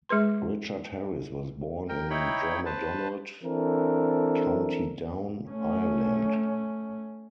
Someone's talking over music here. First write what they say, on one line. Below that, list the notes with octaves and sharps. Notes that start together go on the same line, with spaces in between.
Richard Harris was born in Drummadonald, County Down, Ireland.
G#3 G#4 B4 C6
A#4 G5
D#4 E4 C#5 G5 B5
B4 C5 A5
E3 C4 D4 A4 A#4
A3 C#4